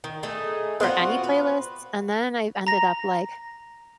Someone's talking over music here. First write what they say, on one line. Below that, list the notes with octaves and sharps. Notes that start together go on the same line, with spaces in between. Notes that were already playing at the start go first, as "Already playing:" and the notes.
for any playlists, and then, I'd ended up, like,
D#3
A3 D#4 G#4
B3 C4 F4 F#4
B4
A#5 A#6